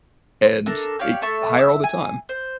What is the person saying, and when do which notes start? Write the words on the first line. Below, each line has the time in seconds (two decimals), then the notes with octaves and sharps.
and it higher all the time.
0.66 D4 A4 A#4
0.99 G4 C#5 D5 F5
1.22 A3 A4 E5 C#6
1.57 E5 D6 E6
1.84 G#5
2.29 C5